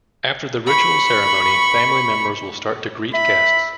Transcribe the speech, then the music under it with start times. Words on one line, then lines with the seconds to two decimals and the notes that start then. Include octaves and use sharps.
After the ritual ceremony family members will start to greet guests.
0.67 B5 C#6
3.14 E5 B5